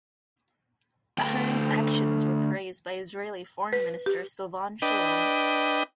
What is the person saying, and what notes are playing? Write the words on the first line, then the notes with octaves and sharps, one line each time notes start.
Ahern's actions were praised by Israeli Foreign Minister Silvan Shalom.
D2 G5
B4
G4
D4 B4 D#5 G5